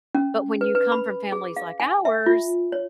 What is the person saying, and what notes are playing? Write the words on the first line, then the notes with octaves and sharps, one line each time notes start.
but when you come from families like ours
C#4
B4
B4
B5
G#4
F5
G#5
E5
F4
C#5